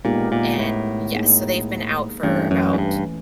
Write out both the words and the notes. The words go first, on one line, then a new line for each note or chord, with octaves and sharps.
and yes, so they've been out for about
A#2 G#3 B3 D#4 G4 A#4
A#2
A2
A#3 D#4 G#4
G2 E3 A3 C#4
F#2
G#2
G2